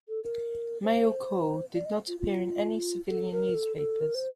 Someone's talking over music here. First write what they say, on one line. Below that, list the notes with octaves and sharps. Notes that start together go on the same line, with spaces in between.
"Male Call" did not appear in any civilian newspapers.
A4
A#4
C5
D5
D#5
F4
F4
A4
A#4
A4
A4
A#4
C5